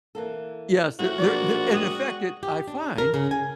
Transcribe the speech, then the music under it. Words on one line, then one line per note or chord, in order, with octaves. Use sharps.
Yes, there there in the fact that I find,
E3 A#3 A4
A2 F3 E4 F#4
A#1 B2 F#3 D5
G3 G#3 B3 D#6
G4
D4
A#4
C#3
G#5